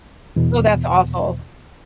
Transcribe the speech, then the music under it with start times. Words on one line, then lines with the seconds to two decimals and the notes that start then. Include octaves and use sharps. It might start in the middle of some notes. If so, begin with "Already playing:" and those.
Oh, that's awful.
0.36 E2 B2